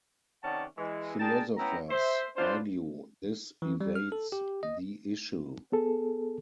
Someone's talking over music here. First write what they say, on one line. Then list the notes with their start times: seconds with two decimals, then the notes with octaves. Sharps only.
Philosophers argue this evades the issue.
0.43 C3 D#3 C#4 D5 F#5 A5
0.78 E3 G#3
1.20 D4 G#4 A#4 G5 A5
1.58 B3 C#4 E4 G5 A#5
1.90 C5 E5
2.37 C#4 D4 F4 B4 C5
3.62 E3
3.81 G3
3.95 F6
4.12 A4
4.32 G4
4.63 D#5
5.72 B3 G#4 A4